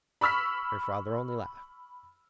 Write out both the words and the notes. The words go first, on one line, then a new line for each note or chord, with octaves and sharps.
Her father only laughed.
B5 C#6 E6 F6 B6